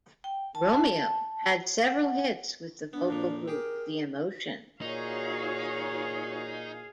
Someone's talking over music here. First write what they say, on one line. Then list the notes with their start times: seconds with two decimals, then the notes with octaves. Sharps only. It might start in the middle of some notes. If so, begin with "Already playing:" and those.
Romeo had several hits with the vocal group the Emotions.
0.24 G5
0.55 A5
1.86 F#5
2.93 B3 D4
3.08 F2 A#2 F3
3.48 G4 G#4 A#4 D6
4.81 A#2 D#4 F#4 G#4 C#5 F5